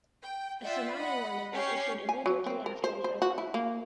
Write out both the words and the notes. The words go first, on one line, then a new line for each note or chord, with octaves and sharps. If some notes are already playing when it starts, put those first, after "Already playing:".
A tsunami warning was issued immediately after the earthquake.
G5
F4 D5 E5 F#5 G5
D#5 F#5 B5
C#4 G4 C#5 C7
G#5
F#3
C4
A#4
C5
C5
F#4
E4
A#3